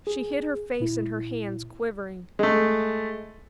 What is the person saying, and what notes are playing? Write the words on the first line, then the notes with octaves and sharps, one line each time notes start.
She hid her face in her hands, quivering.
G#4
A#2 E4
G#3 A3